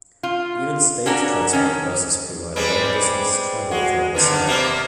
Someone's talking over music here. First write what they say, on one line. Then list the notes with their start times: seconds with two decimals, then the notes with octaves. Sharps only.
Even State Transport buses provide long distance travel from Vasai.
0.23 F4
1.06 C#4 D4 F#4 A#4
1.53 D#3 C#4
2.56 G3 G#3 C4 B4
3.71 G#3 F#4
4.15 D3 D#3 B3
4.47 C3 A#3 B3